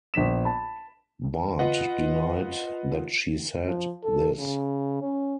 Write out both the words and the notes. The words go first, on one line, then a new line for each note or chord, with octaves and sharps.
Bart denied that she said this.
A#1 B3 B6 E7
A5 B5
F4 B4 D#5 F#5
F3
A4
C#3
C#4